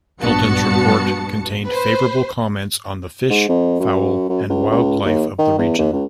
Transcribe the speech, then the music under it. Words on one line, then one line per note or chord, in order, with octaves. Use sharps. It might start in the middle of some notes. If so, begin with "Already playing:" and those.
Hilton's report contained favorable comments on the fish, fowl, and wildlife of the region.
A#1 G2 B3 F#4 A5 C#7
B4 C5
G#2
F2
F#2
F#2
C#2
C#2
D#2
D#3
E2
D#2
C#2